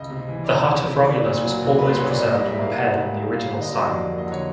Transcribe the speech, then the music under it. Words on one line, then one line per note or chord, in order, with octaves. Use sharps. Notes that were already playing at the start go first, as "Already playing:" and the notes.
The hut of Romulus was always preserved and repaired in the original style.
Already playing: C#2 D#5
C3
E3
D5
C#2 C#5
C#2
C3
A#3 D5
A#2
F#3
C2
A#3 B4
C5
A#2 C#5
D5
A#2 D#5
D5
G3 D#5
E5
A#3 F5
A#2 F#5
A#2
G3
A#3 F5
D3
D#5
F#3
D#5
F2 D5
A#3
D#5
D3 C#5